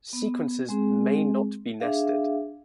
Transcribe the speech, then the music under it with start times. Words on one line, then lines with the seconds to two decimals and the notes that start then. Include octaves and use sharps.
Sequences may not be nested.
0.13 B3
0.69 G#3 C4 G#4
1.80 D4 G#4 E5 F5